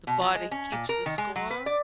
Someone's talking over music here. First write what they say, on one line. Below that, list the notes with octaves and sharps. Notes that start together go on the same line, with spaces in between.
The Body Keeps the Score?
B2
F3
G#3
C#4
A#2
A#4
D#3
G#3
F#3
B4
D5